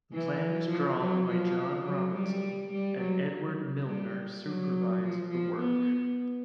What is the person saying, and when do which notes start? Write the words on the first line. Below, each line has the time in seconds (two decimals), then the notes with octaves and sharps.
The plan was drawn by John Robertson and Edward Milner supervised the work.
0.13 E3
0.70 F3
0.99 F#3
1.28 F3
1.85 F#3
2.15 G3
2.72 G3
3.00 F#3
3.86 G3
4.44 F#3
5.01 F3
5.30 F3
5.59 B3